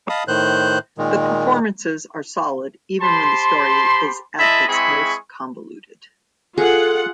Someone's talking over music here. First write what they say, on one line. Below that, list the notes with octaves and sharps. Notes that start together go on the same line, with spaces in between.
The performances are solid even when the story is at its most convoluted.
D#5 F5 A5 B5 D#6
A2 D#3 C5 F#6 G6
A#2 D#3 G#3
G4 C5 A5 B5 C6
G#3 E4 D#5 E5 A5 B5
G#3 C4 E4 G#4 B5 C#6
F4 G#4 A4 F#5